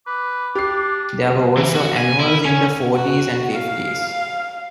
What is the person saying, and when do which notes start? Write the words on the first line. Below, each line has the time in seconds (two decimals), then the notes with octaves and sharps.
There were also annuals in the forties and fifties.
0.07 B4 D6
0.55 D4 G4 C7
1.57 E3
1.74 F#4
1.97 G#5
2.20 E4
2.45 C#4
2.94 F#4
3.55 F5